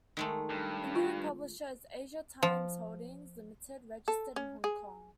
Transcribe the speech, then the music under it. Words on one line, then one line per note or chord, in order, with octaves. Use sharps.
The new publisher is Asia Times Holdings Limited, registered in Hong Kong.
D#3 G#3 A3
G2
F4
F3
A4
C#4
G#4